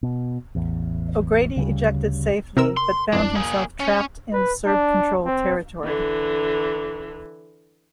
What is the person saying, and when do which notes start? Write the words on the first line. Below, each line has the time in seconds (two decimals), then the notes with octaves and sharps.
O'Grady ejected safely, but found himself trapped in Serb-controlled territory.
0.03 B2
0.55 A1 E2
1.56 D2 C#3 G3
2.57 C3 A#4 E6
2.77 C6
3.13 F2 E3 D4
3.35 A#3 G#4
3.80 C#4
4.33 B4
4.66 D4
5.26 C4
5.84 D3 E3